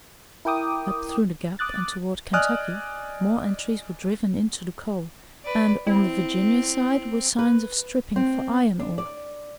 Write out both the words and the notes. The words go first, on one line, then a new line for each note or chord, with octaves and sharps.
Up through the Gap and toward Kentucky, more entries were driven into the coal, and on the Virginia side were signs of stripping for iron ore.
E4 A#4 G5 D6 D#6
D6 D#6 F#6 A6
D5 D#5 G#5 D#6 F6 F#6
B4 D5
C4 E4
B4
C4
D4
D5